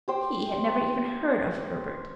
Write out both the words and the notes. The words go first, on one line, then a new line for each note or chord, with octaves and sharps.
He had never even heard of Herbert.
G4 C5 G5